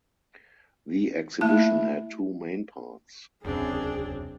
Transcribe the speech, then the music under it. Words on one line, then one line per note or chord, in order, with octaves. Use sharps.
The exhibition had two main parts.
A3 A#3 E4 A5
D#1 C#2 F#2 C3 C4 D4 G#4